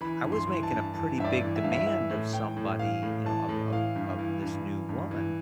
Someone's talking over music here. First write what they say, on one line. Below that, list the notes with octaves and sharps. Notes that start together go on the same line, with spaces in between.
I was making a pretty big demand of somebody, you know, of of of this new woman
E3 B5
G2
C6
E3
A5
G2
E3 A5
G2 E5
D5
E3
E5
G2 F5
E5
E3 E5
A2
E3 G5
A2
E3 F5
A2
E3 A5
A2
E3 F5
G2
E3
G2
E3
G2
E3